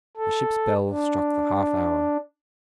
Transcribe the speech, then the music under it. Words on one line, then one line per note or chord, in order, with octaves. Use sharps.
The ship's bell struck the half-hour.
A4
D4